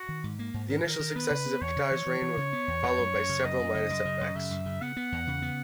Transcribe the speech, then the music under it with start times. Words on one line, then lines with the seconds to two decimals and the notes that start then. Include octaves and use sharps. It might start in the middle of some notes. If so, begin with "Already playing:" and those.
The initial successes of Petar's reign were followed by several minor setbacks.
Already playing: F#4
0.09 D#3
0.24 G#2
0.39 A#3
0.54 G#2
0.70 D#3 A#4
0.85 D#3
1.00 D#3
1.16 B3 B4
1.30 C#3
1.46 B3
1.61 E2 C#5
1.76 C#3
1.91 E3
2.06 E3
2.22 E3
2.37 C#3
2.53 B3
2.68 E2
2.83 E2
2.98 F#2
3.14 F#2
3.29 C#3
3.44 F#2 D#5
3.60 F#2
3.75 C#3
3.90 F#2
4.05 C#3
4.21 F#2
4.35 C#3 E5
4.51 F#2
4.66 C#3
4.82 B3 F#5
4.97 B3
5.12 E2
5.27 C#3
5.42 B3